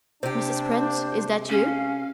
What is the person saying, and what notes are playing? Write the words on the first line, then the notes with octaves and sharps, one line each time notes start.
"Mrs. Prince, is that you?"
C3 D4 G4 C5
C#4 F5